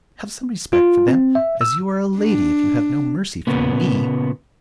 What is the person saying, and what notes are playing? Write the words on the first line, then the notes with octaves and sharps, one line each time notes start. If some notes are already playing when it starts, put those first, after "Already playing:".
Have some respect for them, as you are a lady, if you have no mercy for me.'
F4
C4
E5
E6
D4
A#2 C#3 A#3 B3